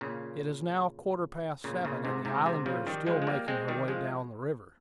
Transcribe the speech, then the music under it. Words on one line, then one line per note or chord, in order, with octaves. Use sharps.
It is now quarter-past seven, and the Islander is still making her way down the river.
A#2 C#3
A#2 C#3
A#2 C#3
G#2 C3
G#2 C3
G#2 C3
C#3 F3
D#3 G3
F3 G#3
G#3
G3 A#3
G#3 C4
D#3 G3
F3 G#3